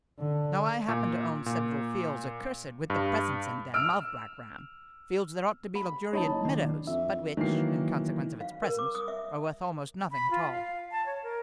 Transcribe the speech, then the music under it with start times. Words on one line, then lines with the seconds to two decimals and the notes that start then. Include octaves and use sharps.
Now I happen to own several fields accursed with the presence in them of Black Ram--fields that ought to be luxuriant meadows, but which, in consequence of its presence, are worth almost nothing at all.
0.19 D3
0.88 A#2
1.46 A#2
2.90 G2
3.74 E6 F6 D7
5.75 B5
6.13 F#1 D#4 C#5 D#5 A5 B5
6.45 F#1 D#3 D4
6.87 F2 E5
7.37 D#3 E3 F#3 A#3 C7
8.41 F5
8.63 A#4
8.79 D6
8.95 D#6
9.08 E5
10.11 B5
10.31 F4
10.51 F5
10.91 A5
11.06 C#5
11.23 A#4